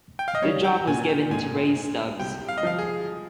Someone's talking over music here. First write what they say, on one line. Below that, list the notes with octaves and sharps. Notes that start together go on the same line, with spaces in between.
The job was given to Ray Stubbs.
G5
F5
D#5
G3 C#5
G5
A#2 G#5
G5
G#2 G#5
G#2
C2 G5
F5
D#5
F3 F5
G#4